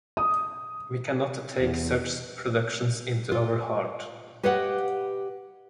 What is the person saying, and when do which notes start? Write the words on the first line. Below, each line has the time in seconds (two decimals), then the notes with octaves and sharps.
We cannot take such productions into our heart.
0.17 D#6
1.60 E2
3.32 F4
4.43 G4 B4 C#5 D#5 F5 F#5